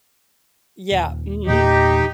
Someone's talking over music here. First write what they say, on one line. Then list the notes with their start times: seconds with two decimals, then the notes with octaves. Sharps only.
Yeah. Mhm.
0.91 D#1
1.47 E2 A#2 D#4 G4